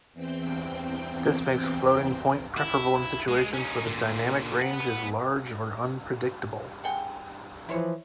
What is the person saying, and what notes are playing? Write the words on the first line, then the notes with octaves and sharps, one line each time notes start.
This makes floating-point preferable in situations where the dynamic range is large or unpredictable.
E2 E3 C4 G5
E4
G#3
C#4 D#4
A#2 D3
B3 F#5
G#4 F#5 G5
E3 F3 E4 C5 C#5